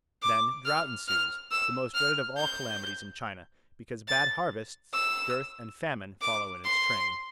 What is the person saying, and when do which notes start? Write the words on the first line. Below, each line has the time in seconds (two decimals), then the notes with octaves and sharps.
Then drought ensues, the most dreaded of all calamities in China, because bad harvests, dearth, and famine follow in its train.
0.22 D6
0.65 F6
1.08 F6
1.51 E6
1.94 F6
2.37 G6
4.08 A6
4.93 E6
6.22 D6
6.64 C6